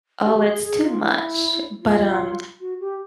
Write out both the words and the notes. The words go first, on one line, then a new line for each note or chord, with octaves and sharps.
Oh, it's too much. But, um,
G4
G4
G#4
G#4
F4
E4
F4
F#4
G4